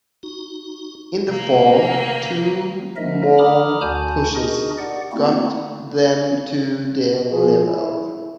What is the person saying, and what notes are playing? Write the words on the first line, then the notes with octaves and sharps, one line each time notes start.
In the Fall, two more pushes got them to the level.
D#4 F#4
C3 D#3 A3 A#3 B4
F3 A3 D#4 A#4 D#5 E5
A#5 B5 D6 D#6 F6
D2 F#4 G#5 A5 G6
D4 D#4 F#4 G#4 A#4 D#5
G4 D5 F#5
A3 A#3 C4 D#4 E4 F#4
F3 G#4
E4